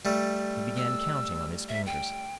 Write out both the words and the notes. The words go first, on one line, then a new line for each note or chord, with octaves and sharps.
He began counting on his fingers.
G3 A3
E6
E5
G5